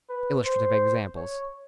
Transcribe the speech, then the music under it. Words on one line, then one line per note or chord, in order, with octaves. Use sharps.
Illustrative examples.
B4
C5
C#5